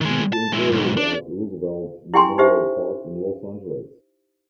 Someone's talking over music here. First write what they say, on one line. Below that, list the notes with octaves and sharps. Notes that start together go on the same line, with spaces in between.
He is interred at Roosevelt Memorial Park in Los Angeles.
D#3 G#3
A5
G#3 E4
B1 G#2
D4
E4 G4 G5 G#5 C6
D#4 G4 C5 E5